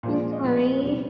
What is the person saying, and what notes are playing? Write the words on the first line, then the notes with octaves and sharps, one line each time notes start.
I'm sorry.
A#2 F3 G#3
D5
D#5
A#2 F3 G#3
F2 C3 G3